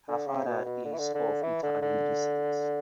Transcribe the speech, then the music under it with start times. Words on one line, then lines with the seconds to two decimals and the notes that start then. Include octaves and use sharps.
Her father is of Italian descent.
0.08 D3
0.27 C#3
0.46 B2
0.65 B2
0.85 D3
0.93 E3
0.99 D3
1.14 D3
1.43 E3
1.63 D3
1.82 D3